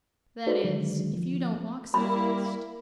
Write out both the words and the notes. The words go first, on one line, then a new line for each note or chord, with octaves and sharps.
That is, if you don't walk so fast.
D#4 F#4 A4 B4 C5 D5
D3 D#3 F#3 G#3
F3
G3 A#3 E4 B5